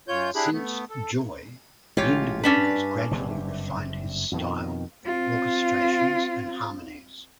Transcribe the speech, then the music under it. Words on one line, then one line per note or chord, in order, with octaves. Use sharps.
Since "Joy", Lindberg has gradually refined his style, orchestrations and harmonies.
F#2 F4 C#5 G6
D4 E4 G4 G#4 F#6
A3 B3
A4
A1 G#3 F4 G4 C#5
G2 C#4 D4 B4
F#1 G2 C3
F2 B2 D#3
C4 F4